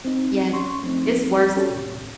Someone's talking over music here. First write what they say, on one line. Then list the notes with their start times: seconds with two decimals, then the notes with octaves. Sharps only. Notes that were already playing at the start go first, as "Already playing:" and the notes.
Yes. It's worse.
0.05 C4 D#4
0.53 C#4 C6 C#6
0.82 F3 A3 C4 D4 D#4
1.57 C#4 D4 F#4 G4 A4 C#5
1.70 D#2 A2 C3